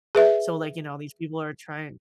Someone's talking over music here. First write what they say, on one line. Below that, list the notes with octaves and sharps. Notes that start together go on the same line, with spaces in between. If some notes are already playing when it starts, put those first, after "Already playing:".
so, like, you know, these people are trying
G#4 B4 E5